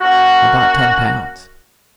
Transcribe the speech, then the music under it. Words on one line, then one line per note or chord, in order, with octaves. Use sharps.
I bought ten pounds.
F#2 A#3 F#4